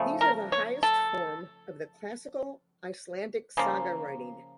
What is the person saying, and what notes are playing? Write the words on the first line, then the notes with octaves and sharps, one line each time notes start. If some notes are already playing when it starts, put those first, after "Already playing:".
These are the highest form of the classical Icelandic saga writing.
Already playing: C#3 F3 A3
A#4
C#5
A4
C#3 F3 A#3